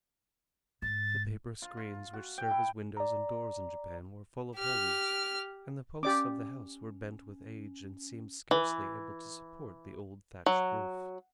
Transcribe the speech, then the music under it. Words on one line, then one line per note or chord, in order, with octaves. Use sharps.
The paper screens which serve as windows and doors in Japan were full of holes, and the posts of the house were bent with age and seemed scarcely able to support the old thatched roof.
G#2 A6
F4
F4
F#4
G5
E4
D5 A#5
G4 F6
C#4 G4 D5 D6
E3
F#3